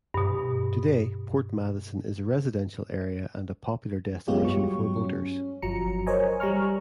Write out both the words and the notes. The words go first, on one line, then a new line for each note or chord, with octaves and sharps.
Today, Port Madison is a residential area and a popular destination for boaters.
G2 B2
G#3 B3 F4 G4 C#5
G2 F#3 C#6
C#4
G1 F3 F#3 A#5 C#7
A#4 C5 C#5 D#5 G#5 A#5
G3 A#5 C#6 F6